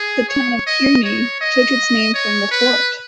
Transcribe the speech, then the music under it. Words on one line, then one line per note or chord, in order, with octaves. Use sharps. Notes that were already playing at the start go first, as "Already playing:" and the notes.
The town of Kearney took its name from the fort.
Already playing: G#4
C#5
D#5
C#5
D#5
C#5
B4